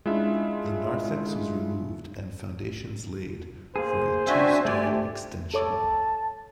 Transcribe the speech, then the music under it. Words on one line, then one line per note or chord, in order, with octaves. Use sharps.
The narthex was removed and foundations laid for a two-storey extension.
G#3 C#4 D4 E4 F4 E5
A#3 G#4 C5
C4 D4 F#4 E5 G#5
A3 G4 D5 G#5
A4 C#5 A5 D6